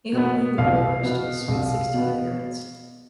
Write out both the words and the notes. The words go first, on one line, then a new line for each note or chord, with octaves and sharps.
He helped lead the Boilers to a Sweet Sixteen appearance.
B2 B3
C2 F5
B2 B3
C2
B2 B3